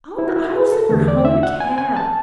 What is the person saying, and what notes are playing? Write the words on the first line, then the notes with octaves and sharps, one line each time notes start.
'Oh, but I will send her home in a cab.
E4
F#4
E4
F#4
G#4
A4
E2 D3 A3
D5
E5
F#5
G#5
G#5
A5